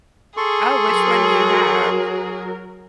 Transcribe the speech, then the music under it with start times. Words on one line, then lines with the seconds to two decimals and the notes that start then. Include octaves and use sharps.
Oh, which one do you have?
0.37 G#4 A4 C6 C#6
0.87 F#3 A#4